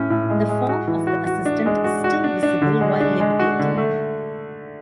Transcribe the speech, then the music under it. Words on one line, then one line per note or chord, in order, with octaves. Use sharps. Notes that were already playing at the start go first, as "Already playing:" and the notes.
The form of the assistant is still visible while levitating.
Already playing: A2 C#4
A2
G#3
G#3
F#4
E3
F#4
F#4
D4
G#3
F#4
F#4
D4
D4
D3
G#3
D4
G#3
F#4
D3
A3